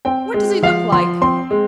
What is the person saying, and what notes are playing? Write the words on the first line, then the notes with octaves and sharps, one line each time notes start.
What does he look like?'
C4 G5
G#3
F3 F5
F3 C6
C4 C6
G#3